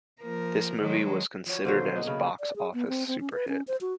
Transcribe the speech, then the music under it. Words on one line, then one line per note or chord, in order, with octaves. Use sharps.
This movie was considered as Box office super hit.
F3 A#3 A#4
D#3 F#3 G#3
F3 F#4 C#5
B2 D3 D#3 F#3 G3 C5 F5
A#3 D#5
C#3 B5
D5
G#4
B3
C4
C4
C#4
B4
C#4
C5
F#4